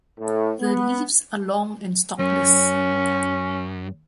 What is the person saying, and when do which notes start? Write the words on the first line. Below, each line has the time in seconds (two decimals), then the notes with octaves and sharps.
The leaves are long and stalkless.
0.20 A2
0.61 B3
2.19 F#2 C#4